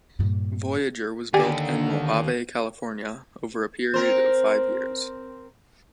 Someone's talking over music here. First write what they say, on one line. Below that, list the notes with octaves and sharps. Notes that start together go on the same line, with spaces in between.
Voyager was built in Mojave, California, over a period of five years.
G2 A#2
D#2 D3 G4 D5 G#5
C4 A#4 C5